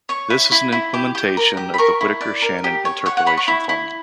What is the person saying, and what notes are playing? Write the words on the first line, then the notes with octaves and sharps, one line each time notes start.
This is an implementation of the Whittaker-Shannon interpolation formula.
C#5 C#6
E4
E4
E4
G4 D6
G4
A#4
G4
B5
A#4 C#6
E4
D5
A#4
G4
C#5
C#5 F#5
F#5
C#5 B5
C#6
E4
E4